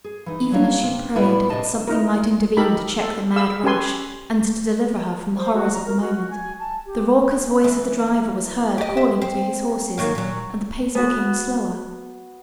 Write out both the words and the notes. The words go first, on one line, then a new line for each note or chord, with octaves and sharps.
Even as she prayed that something might intervene to check the mad rush and to deliver her from the horrors of the moment, the raucous voice of the driver was heard calling to his horses and the pace became slower.
G#4
E3 D#4
F#3 G3 A#3 D#4 C#5
C3
A2 G3 B3 E4 B4 F#5
A2 C3 D4 G4 D#5 A5
D#4 E4 A#4
D#4 G4 A4 A#4 B5
A4
G#4 F5 E6
C#4 G4 A4 B4 G#5 C6
C5
F#4
A#5
A#4
F#4
F#4
G#5
A5
G4
E3
G4 D#5
E5
C4
D#3 F#3 A#3
A#2 F#3
B3 F#4